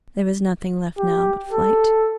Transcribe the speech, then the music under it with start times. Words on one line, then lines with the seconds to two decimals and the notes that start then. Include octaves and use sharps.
There was nothing left now but flight.
0.98 G4
1.53 A4